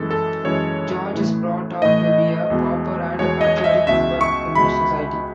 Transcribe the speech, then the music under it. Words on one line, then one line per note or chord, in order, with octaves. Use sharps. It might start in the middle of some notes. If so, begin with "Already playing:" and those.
George is brought up to be a proper and patriotic member of English society.
Already playing: F#2 E3 G#3 A4
A4
F#2 E3 G#3 C#5
A2 E3 A3
A2 E3 A3 D#5
E2 B2 G#3
E2 B2 G#3 C#5
D#5
E5
C#2 B2 G#3 E5
C#6
C#2 B2 G#3 B5